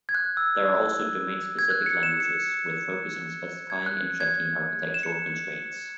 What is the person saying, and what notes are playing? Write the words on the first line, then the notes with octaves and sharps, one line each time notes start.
There are also domain-specific languages with focus on specifying and checking architectural constraints.
G#6
F#6
E6
G#6
F#6
C#7
E7
C#7
G#6
F#6
G#6
E7
C#7